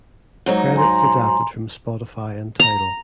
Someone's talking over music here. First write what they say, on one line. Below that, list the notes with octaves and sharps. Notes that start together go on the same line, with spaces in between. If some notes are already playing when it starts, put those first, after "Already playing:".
Credits adapted from Spotify and Tidal.
G#2 F#3 D#4
G#5 A#5 C6
A#5